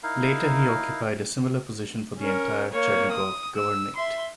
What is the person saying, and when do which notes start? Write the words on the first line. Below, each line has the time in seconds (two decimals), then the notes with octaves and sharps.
Later he occupied a similar position for the entire Chernigov Governorate.
0.03 D#4 E4 A#4 F5
2.19 C#4 A#4
2.72 A#3 C#5
3.12 D#6
3.57 E6
3.96 E5 C6